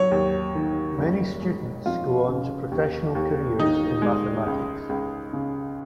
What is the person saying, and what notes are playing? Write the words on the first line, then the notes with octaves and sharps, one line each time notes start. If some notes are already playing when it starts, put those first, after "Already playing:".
Many students go on to professional careers in mathematics.
Already playing: F#3 C#5
D#2
D#3
F#1
G#3
F2 F4
C#3
D#2
D#2
D#3 D#4
G#3
C#2
C#2
C#3